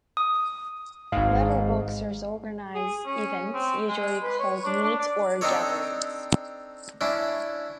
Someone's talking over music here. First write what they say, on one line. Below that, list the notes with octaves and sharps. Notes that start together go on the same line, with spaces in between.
Letterboxers organize events, usually called "meets" or "gatherings".
D#6
G#1 G#2 F5
G#4
C#4
C4
G#3
B4
C#5
D4
D4
D5
C4 D4 D#4 A4 C#5
C#4 D4 E4